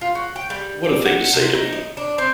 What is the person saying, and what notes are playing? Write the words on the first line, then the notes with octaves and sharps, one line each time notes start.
What a thing to say to me!
F4
F#4
G5
G3
D5
F#5
C3
D#4
D#5
D4
C4